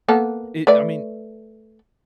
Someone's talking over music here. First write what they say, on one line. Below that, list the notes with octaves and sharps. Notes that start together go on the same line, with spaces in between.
it I mean,
A#3 B3 A4
A3 B4 D5